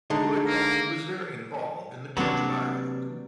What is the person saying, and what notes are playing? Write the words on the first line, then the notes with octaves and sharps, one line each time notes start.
Roycroft was very involved in the Church of Ireland.
D3 G#3 D#4
A#3
C3 E3 F#3 A#3 B3 D4